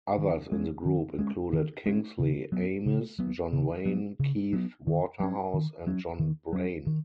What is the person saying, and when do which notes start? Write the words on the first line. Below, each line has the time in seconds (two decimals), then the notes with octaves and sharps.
Others in the group included Kingsley Amis, John Wain, Keith Waterhouse and John Braine.
0.18 D#3
0.52 G#3 C#4
0.85 D#3
1.19 G#3 C#4
1.53 D#3
1.86 G#3 C#4
2.19 C#3
2.52 F#3 B3
2.86 C#3
3.19 F#3 B3
3.53 C#3
3.85 F#3 B3
4.19 C#3
4.53 F#3 B3
4.87 D#3
5.20 F#3 C#4
5.54 D#3
5.87 F#3 C#4
6.19 D#3
6.53 F#3 C#4
6.86 D#3